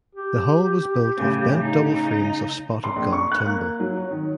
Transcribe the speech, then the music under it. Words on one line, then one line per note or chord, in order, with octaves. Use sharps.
The hull was built of bent double frames of spotted gum timber.
G4
A2 C#3
C#3 D#4
C6
A#1
C#6
F#6
A#3
F#3
C#5
D#3